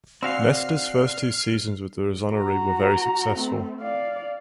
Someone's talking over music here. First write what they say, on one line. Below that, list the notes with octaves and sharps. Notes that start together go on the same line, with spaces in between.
Nesta's first two seasons with the "Rossoneri" were very successful.
C4 D4 F#4 C5 F5 G#5 F6 C7
F#4 A#5
A3 C4
D5 F5